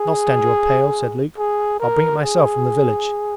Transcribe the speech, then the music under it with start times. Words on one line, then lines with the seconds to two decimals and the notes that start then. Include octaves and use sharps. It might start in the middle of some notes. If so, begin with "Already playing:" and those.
I'll stand you a pail!' said Luke. 'I'll bring it myself from the village.'
Already playing: G#4
1.38 G#4
1.80 A#4
2.23 G#4